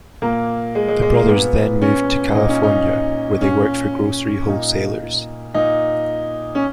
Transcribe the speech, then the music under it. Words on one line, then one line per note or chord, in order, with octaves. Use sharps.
The brothers then moved to California where they worked for grocery wholesalers.
A#2 A#3
G#3
G#3
G#3
A#3
A#2 B3
C#4
A#2 D#4
C#4
D#4
A#2 C#4
A#2 D#4
A#2 D#4
C#4